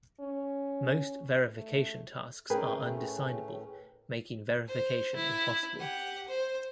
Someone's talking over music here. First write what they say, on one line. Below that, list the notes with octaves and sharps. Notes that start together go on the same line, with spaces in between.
Most verification tasks are undecidable, making verification impossible.
C#4
A3
A2 A3 C#4 G#4 A#4 B4 G5
C5
E4
G4 F#5
C5